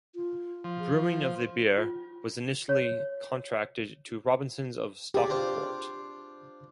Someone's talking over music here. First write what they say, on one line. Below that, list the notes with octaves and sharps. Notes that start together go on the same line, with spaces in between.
Brewing of the beer was initially contracted to Robinson's of Stockport.
F4
F3
G#4
F4
C5
F4
C#5
G4 G#4 D5
D4 F4 C5